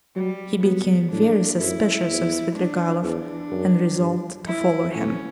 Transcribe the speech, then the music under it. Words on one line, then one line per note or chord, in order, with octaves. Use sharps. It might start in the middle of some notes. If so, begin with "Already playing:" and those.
He became very suspicious of Svidrigailov and resolved to follow him.
F#3 G3
F#3 B3
A2 D4
F#2 E4
E2
D4
E2 D4
F#2
G2
E4
A2 C#4